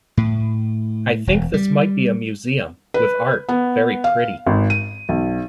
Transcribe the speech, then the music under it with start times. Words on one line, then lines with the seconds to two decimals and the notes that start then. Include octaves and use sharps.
I think this might be a museum, with Art, very Pretty.
0.17 A2
1.27 E1
1.54 G3
2.94 B4
3.49 B3
4.04 F5
4.47 G#1
4.70 D#7
5.09 B1